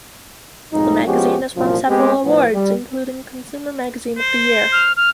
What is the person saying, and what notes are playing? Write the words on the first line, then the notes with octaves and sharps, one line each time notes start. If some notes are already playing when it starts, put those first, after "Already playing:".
The magazine has won several awards, including Consumer Magazine of the Year.
B1 F2 G#2 D#4
F3 G#3 B3 C#4 F#4 G4
C2 F#2 A#2 F3
G#3 B3 C4 G4
A2 F3 B3
G3
C5
F6
F6